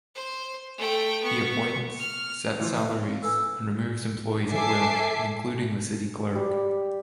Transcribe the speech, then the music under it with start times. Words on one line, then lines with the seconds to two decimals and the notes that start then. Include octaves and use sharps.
He appoints, sets salaries and removes employees at will, including the city clerk.
0.15 C5
0.78 A3 G5
1.23 B3 C#6
2.00 F6
2.60 E3 F3 A3 F4
2.77 D#5
2.89 B3 F4 E5 F5
3.08 C4
3.23 A4 B4 G#5 E6
4.50 A4 E5 G#5 D6 C7
6.34 G3 G4